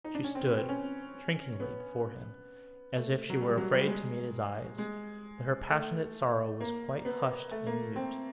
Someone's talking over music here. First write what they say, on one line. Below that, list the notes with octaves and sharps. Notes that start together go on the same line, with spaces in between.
She stood, shrinkingly, before him, as if she were afraid to meet his eyes; but her passionate sorrow was quite hushed and mute.
D#4
D4
C#4
C4
B3
C4
C#4
B3
A3
F#3
G3
F#3
G3
G#3
G#3
A3
A#3
B3
A3
A#3
C4